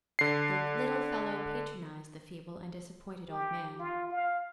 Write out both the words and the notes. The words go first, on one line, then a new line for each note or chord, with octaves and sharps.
The little fellow patronized the feeble and disappointed old man.
D3 C7
G4
F4
F5